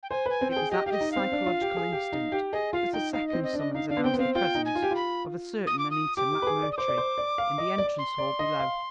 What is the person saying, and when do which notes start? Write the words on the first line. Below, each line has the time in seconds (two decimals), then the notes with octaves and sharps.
It was at this psychological instant that a second summons announced the presence of a certain Annita McMurtry in the entrance hall below.
0.03 G5
0.10 C5 G#5
0.26 B4 G#5
0.41 C4
0.51 G5
0.56 G#4
0.71 G4 D#5
0.86 G4 F5
0.92 D#5
1.01 D#4
1.12 C4 F5
1.32 D4
1.46 F4
1.61 G4
1.77 G#4
1.92 G4
2.12 D#4
2.32 G4
2.53 G#4 D#5
2.73 F4 F5
2.93 D#4 G5
3.13 D#4 F5
3.28 D#5
3.33 C4
3.44 D#5
3.54 D4
3.59 D#5
3.74 D#4 F5
3.90 D4 F5
3.97 B3
4.04 C4 G5
4.14 B3
4.19 C4 F5
4.34 F4 G5
4.55 D#4
4.66 G#5
4.75 F4
4.83 G4
4.91 F4 B5
5.67 D#6
5.79 D6
5.91 D#6
6.16 G4 D6
6.32 G4
6.42 B4
6.47 G#4
6.62 D5
6.72 D#6
6.77 C5 D6
6.88 D5
6.98 C5
7.18 D5
7.38 F5
7.58 D#5
7.78 D5
7.98 C6
8.18 D5
8.39 D#5
8.60 F5